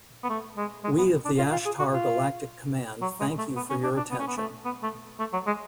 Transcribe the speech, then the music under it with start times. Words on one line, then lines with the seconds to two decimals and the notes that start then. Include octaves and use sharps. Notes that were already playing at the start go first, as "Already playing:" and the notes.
We of the Ashtar Galactic Command thank you for your attention.
0.24 B3
0.30 A3
0.57 G#3
0.84 G#3
0.98 B3
1.25 D4
1.39 F4
1.52 F4
1.66 G#4
1.79 F#4
1.93 F4
3.02 F#3
3.20 G#3
3.38 A3
3.56 B3
3.70 C#4
3.83 D4
3.97 D4
4.11 B3
4.19 C#4
4.28 B3
4.37 A3
4.65 B3
4.83 A3
5.19 A3
5.33 F#3
5.47 G#3